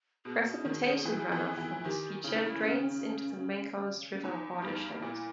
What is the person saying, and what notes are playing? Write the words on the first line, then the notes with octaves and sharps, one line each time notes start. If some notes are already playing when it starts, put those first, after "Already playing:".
Precipitation runoff from this feature drains into the Mancos River watershed.
B2 G#4
D#3
E3
E3
E3
D#3 G4
C#3 E4
D#4
E4
C#4
C#4
E2 D#4
G2 D#4
A#2 E4